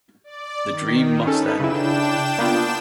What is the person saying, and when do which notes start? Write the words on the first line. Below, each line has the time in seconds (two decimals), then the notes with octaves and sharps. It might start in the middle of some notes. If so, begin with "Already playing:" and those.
The dream must end.
0.24 D5
0.69 D#3
1.27 C#4 D#4 A4 B4
1.60 C#3 D4 E4 G5 E7
2.39 A#3 B3 F4